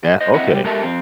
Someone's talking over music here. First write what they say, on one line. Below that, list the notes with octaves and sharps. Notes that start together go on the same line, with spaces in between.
Yeah? Okay.
C5 D#5
C4 E4 D#5 F#5
G3 G4
G#3 G4 A4 A#4 E5 A5
F2 C4